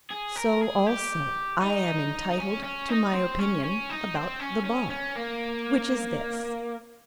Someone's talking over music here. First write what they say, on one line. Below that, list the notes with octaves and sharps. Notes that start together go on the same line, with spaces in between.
So also I am entitled to my opinion about the Bar, which is this.
G#4
A#4
G#4
G4
D#4
D#4
C#4
C#4
D#4
C4
C#4
C#4
D#4
C4
C#4
C#4
C#4
A#3